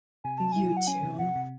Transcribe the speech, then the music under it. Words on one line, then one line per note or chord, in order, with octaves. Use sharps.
You too.
C3 G#5
F#3 A5
E4 G#5
F#3
F#5
C#4 G#5
C3
C3 F#5
C3